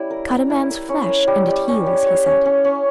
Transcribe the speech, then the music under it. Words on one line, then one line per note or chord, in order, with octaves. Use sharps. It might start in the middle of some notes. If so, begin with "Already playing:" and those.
"Cut a man's flesh and it heals," he said.
Already playing: G3 C#4 E4
A#4
A#4
E4
A#4
C#4
A#4
G3
G3
C#4
G4
C#5
C#4
C#4
C#4